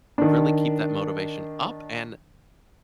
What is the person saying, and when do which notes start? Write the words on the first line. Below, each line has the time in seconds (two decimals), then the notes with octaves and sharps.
really keep that motivation up and
0.18 D#3 D4